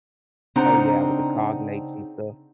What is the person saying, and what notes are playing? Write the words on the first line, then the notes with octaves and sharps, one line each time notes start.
Oh, yeah, with the cognates and stuff.
C#3 C4 D4 D#4 F#5 A#5